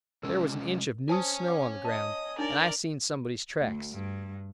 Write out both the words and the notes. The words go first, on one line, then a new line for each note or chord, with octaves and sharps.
There was an inch of new snow on the ground, and I seen somebody's tracks.
C3 G#3 C#4 A#4
C5 C#5 G#5 A5 D#6
F#5 D6
D#5 A5 D#6
D4 D#4 A#4 D5
D2
G2